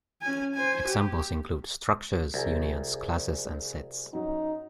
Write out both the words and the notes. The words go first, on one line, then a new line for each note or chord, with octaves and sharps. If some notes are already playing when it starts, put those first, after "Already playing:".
Examples include structures, unions, classes, and sets.
C#4 G#5
C5 G#5
G4
C2 F#3 G#4
F#2 F#3 D#4